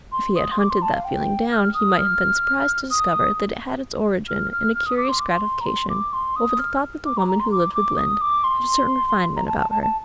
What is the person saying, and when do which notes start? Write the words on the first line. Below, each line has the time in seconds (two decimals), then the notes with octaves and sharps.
If he had hunted that feeling down he might have been surprised to discover that it had its origin in a curious gratification over the thought that the woman who lived with Lynde had a certain refinement about her.
0.12 C6
0.36 D#6
0.51 C6
0.59 D6
0.70 C6
0.82 A5
0.93 F5
1.05 G5
1.51 F6
1.74 D#6
1.98 F6
2.90 D#6
4.28 F6
4.52 F6
4.74 F6
4.86 D#6
4.97 D6
5.09 C6
5.19 D6
5.29 C6
5.61 A#5
5.66 C6
5.89 D6
6.13 C6
6.36 D#6
6.59 F6
7.05 D6
7.17 A#5
7.28 A#5
7.40 C6
7.52 D6
7.75 D6
7.97 D#6
8.21 D6
8.44 C6
9.36 A#5
9.47 A5
9.59 A5
9.71 A5
9.82 A5